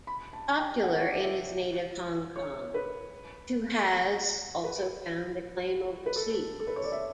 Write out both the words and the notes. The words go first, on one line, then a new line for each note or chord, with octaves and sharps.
Popular in his native Hong Kong, To has also found acclaim overseas.
B5
A5
G5
F#5
C#5
D5
E5
C#5
B4
B4
B4
A4
A4
B4
C#5
D5
E5